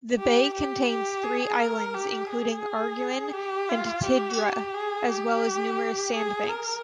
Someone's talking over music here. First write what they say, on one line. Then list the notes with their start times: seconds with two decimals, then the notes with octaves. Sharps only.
The bay contains three islands, including Arguin and Tidra, as well as numerous sandbanks.
0.19 G4
0.54 G4
0.89 G4
1.24 G#4
1.59 A#4
1.95 G4
2.29 G#4
3.33 G4
3.69 F4
4.04 G4
4.74 G#4
5.09 G4
6.15 G#4
6.49 A#4